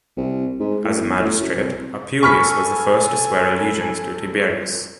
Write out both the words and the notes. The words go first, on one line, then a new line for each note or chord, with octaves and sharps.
As a magistrate, Appuleius was the first to swear allegiance to Tiberius.
C2
G#2
A2
E1
A2
F#2
C2
A4 G#5 B5 C#6 F6 B6